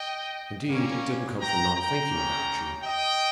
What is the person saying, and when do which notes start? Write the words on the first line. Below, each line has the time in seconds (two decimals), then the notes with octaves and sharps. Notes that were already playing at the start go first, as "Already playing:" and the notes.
Indeed it didn't come from not thinking about you.
Already playing: D#5 G5
0.69 G3 A#3 C#4
1.40 G5 A#5
1.76 G5 A#5
2.11 G#3 C#4 G4
2.82 D#5 G5